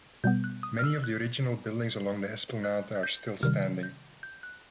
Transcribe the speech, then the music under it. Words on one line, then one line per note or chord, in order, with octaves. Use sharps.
Many of the original buildings along the esplanade are still standing.
B2 G3 B3 G6
F#6
D#6
F6
E6
F#6
F#6
F#6
G6
C3 D#3 G3 F6
G6
G6
F#6